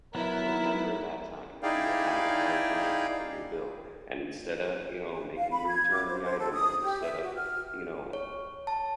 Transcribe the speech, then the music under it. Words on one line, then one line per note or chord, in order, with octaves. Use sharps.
Remember that time you were having a hard time to pay your bill, and instead of," you know, "making you return the item, or instead of," you know, "g
F#3 B3 E4 A#4
D#4 E4 G#4 D5 F5 G5
F5
B5
G#6
D6
C5
C5
A4
D#6
G4
E5
F#4
F6
C#5
A5